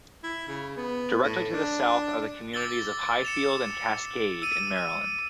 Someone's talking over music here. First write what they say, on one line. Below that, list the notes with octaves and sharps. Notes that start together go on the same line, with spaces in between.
Directly to the south are the communities of Highfield and Cascade in Maryland.
E4
C#3
B3
A2
D4
D6 E6 A6 G7
C#7 E7 F7
E6 D#7